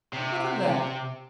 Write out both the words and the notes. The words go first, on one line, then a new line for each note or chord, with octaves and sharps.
But what of that?
C3